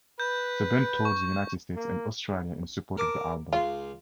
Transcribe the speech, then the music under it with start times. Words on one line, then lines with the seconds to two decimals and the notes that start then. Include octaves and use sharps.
The band toured the United States and Australia in support of the album.
0.20 B4 G6
1.05 C#6
1.75 A#3
2.97 A#4 A5 D6
3.53 C#2 F4 C6